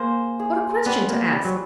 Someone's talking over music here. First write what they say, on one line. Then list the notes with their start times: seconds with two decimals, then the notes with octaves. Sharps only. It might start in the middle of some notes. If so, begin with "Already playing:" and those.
What a question to ask!
Already playing: A#3 G#4 C5
0.39 G#4
0.86 G3 B3
1.10 A#3
1.33 G3
1.45 F#3